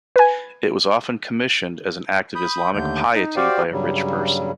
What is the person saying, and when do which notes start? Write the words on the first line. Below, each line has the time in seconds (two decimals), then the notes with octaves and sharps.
It was often commissioned as an act of Islamic piety by a rich person.
0.16 B4 G#5
2.35 B5 D#6 G6
2.74 D#2 D3 A3 G6
3.15 D#4
3.36 F#4 G4 C5 D5 F5 G5
3.72 G2 C#3 F#3 G3